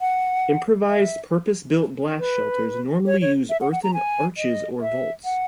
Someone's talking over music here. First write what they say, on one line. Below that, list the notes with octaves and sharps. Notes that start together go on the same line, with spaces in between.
Improvised purpose-built blast shelters normally use earthen arches or vaults.
F#5
E5
B4
C#5
C#5
E5
F#5
F#5
A#5
G#5
D#5
E5
F#5